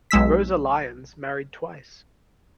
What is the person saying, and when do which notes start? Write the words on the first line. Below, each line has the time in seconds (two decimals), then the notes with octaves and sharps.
Rosa Lyons married twice.
0.11 B1 G#3 E6 B6